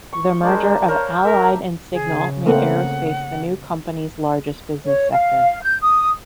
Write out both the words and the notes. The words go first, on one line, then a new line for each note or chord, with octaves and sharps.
The merger of Allied and Signal made aerospace the new company's largest business sector.
C#6
G#3 D4 A#4 C5
A#4 C5 C#5 F5
A#4 E5
C#3 G#4
A3 A#3 C4 F#5
C#5
F5
G6
D#6